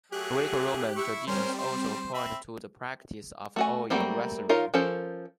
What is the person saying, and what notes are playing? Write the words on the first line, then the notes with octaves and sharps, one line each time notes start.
Greco-Roman traditions also point to the practice of oil wrestling.
F#3 A3 G4 G#4 F#6
E4 E5 C#6
G3 C4 C#4 A#4 C5
C5
C4 E5 B5
A3 F#4 G#5
F#3 G3 A3 A#3 C4
D#4 F4 A#4 C#5 F5
F3 C#4 A4 A#4 C5